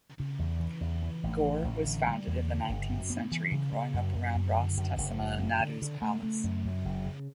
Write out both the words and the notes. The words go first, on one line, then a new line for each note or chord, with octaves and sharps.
Gore was founded in the nineteenth century, growing up around "Ras" Tessema Nadew's palace.
C#3
E2
E3
E2
E3
A1
E3
A1
D3
G3
E2
D3
G1
F#2
B3
E3
C#3
C#3
F#2
F#2
F#2
D3
F#2
F#1
F#2
F#2
D3
D3
A3
A3
F#2
F#2
F#1
C#3